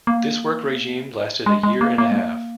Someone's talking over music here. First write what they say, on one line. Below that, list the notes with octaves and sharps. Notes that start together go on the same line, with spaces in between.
This work regime lasted a year and a half.
A#3
G#3
G#3
A#3
A#3
G#3
A#3